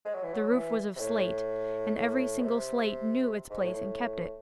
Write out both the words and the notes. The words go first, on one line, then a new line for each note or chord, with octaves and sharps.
The roof was of slate, and every single slate knew its place and kept it.
G#3
F#3
E3
F#3
E3
C3
A2
A2
C3
G#2
A2
A2